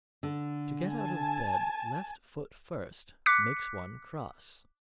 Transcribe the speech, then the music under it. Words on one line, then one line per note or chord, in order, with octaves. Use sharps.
To get out of bed left foot first makes one cross.
D3
G#5 A5
D6 F#6 B6 C#7